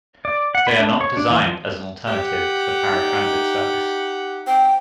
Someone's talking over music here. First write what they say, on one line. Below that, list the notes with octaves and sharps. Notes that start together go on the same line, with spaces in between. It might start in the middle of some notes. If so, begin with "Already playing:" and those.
They are not designed as an alternative to the paratransit service.
D5
F#5
B5
D4
C#5
D4
E3
F3
G4 F#5
D#4 E4
C4 G5